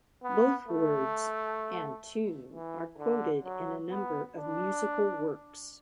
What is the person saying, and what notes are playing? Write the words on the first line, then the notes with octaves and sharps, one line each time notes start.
Both words and tune are quoted in a number of musical works.
B3
A3
E3
D3
F#3
B3
D4